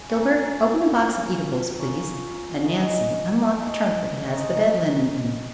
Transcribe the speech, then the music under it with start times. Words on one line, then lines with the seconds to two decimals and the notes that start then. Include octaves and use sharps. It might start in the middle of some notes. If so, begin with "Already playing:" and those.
Gilbert, open the box of eatables, please; and, Nancy, unlock the trunk that has the bed linen in it.
Already playing: G#5
0.09 A#3 C#4 F4 C#6
0.21 A#5
0.33 G#5
0.44 A#5
0.94 A#3 C#4 F4 C#6
1.79 A#3 C#4 F4
2.63 G#3 D#4
3.48 G#3 D#4
4.25 C#6
4.33 G#3 D#4 A#5
4.54 C#6